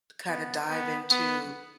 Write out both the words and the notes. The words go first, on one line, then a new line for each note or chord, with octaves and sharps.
kinda dive into,
B3
B3
B3